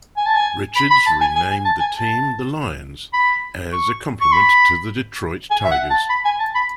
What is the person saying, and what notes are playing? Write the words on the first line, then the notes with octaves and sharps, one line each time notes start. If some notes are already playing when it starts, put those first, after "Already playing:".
Richards renamed the team the Lions, as a complement to the Detroit Tigers.
G#5
A5
G#5
B5
B5
A5
G#5
G#5
G#5
A5
G#5
A5
B5
C#6
C#6
B5
G#5
E5
F#5
A5
B5
G#5
A5
B5